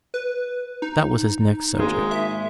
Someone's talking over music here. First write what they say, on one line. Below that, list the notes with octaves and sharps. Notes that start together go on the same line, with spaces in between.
That was his next subject.
B4
D#4
G#1 G#3 A#3
E5